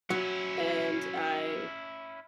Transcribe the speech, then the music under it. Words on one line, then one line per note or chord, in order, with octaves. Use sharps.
And I
F#3 C#4 E4